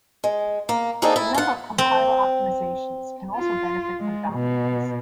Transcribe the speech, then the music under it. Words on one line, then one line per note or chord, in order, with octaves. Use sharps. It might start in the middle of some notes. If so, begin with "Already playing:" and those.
A number of compiler optimizations can also benefit from dominators.
G#3
A#3
A#3 C4 D4 D#4 G#4 A4
E4
F4 F#5
C4
F4
G#3
B2